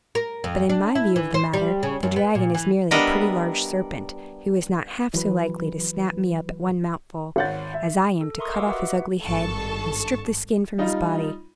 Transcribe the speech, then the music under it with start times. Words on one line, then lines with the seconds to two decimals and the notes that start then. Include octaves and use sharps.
But, in my view of the matter, the dragon is merely a pretty large serpent, who is not half so likely to snap me up at one mouthful as I am to cut off his ugly head, and strip the skin from his body.
0.15 A#4
0.44 F2
0.69 D4
0.95 E4
1.16 E3
1.34 C5
1.53 G3
1.83 C#3
2.03 F#2
2.16 B3
2.35 A#2
2.55 E3
2.91 G3 B3 D4 A#4 D#5 E5
5.14 E3 F#3 B4
7.36 G#1 C#5 F#5 G6 A6
7.74 E5
8.21 A4
8.38 A#4 E5 A#5 C6 C#6 D#6
8.53 D#5 F5 F#5 D6 E6
8.67 F#4 G4 B4 E5 F#5
8.79 F#4
8.92 F#4
9.26 G#1 G2 A4 A5 C#6
10.78 G3 D#4 F4